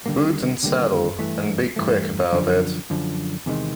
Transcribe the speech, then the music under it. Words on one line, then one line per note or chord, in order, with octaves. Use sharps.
Boot and saddle, and be quick about it.
D#2 D3 G3 A#3
D#2 D3 G3 A#3
G2 E3 A3
G2 E3 A3
F#2 D3 F3
F#2 D3 F3
E2 C3 D#3 G#3